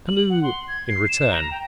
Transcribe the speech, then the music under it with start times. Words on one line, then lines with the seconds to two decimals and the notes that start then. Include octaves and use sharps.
Halloo!' in return.
0.08 F#7
0.30 F#5
0.43 C6
0.68 G#6
0.88 C7
1.09 E7
1.31 A#5
1.51 G5